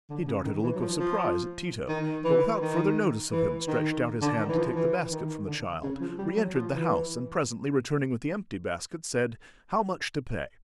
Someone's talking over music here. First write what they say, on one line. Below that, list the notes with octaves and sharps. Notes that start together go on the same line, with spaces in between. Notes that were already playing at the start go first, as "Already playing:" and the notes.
He darted a look of surprise at Tito, but without further notice of him stretched out his hand to take the basket from the child, re-entered the house, and presently returning with the empty basket, said, "How much to pay?"
D3
C#3
D#3
E3
F#3
F3
F3
D#3
E3
D#3
E3
D#3
D3
D#3
E3
F3
E3
D#3
D3
C#3
F3
G3
F#3
F3
E3